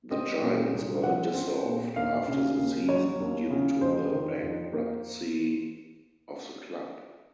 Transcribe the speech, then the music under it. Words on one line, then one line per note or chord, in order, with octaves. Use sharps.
The Giants were dissolved after the season due to the bankruptcy of the club.
C4 D#5
A#2
C2
F3 F#5
C4
A#2
D#2 F5
C#3
D#2
F#3 C#5
D#2
C#3
F2 C5
D#3
F2
A#3